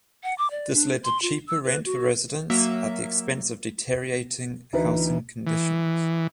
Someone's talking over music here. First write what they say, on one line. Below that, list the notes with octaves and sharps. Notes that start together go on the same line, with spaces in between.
This led to cheaper rent for residents at the expense of deteriorating housing conditions.
F#5
D6
D5
D4
C6
F4
E6
B4
F#4
F#3 A#3 E5
D2 E3 D#4 B4
E3